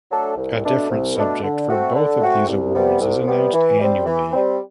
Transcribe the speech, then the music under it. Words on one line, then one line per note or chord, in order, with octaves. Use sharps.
A different subject for both of these awards is announced annually.
F#3 A3 D4 A4
C2
B2 A3 D4
C2
B2 A3 D4
D3
A3 C4 F#4
D3
A3 C4 F#4
C2
C3 G3 B3
C2
C3 G3 B3
E3
G3 C4
E3
G3 C4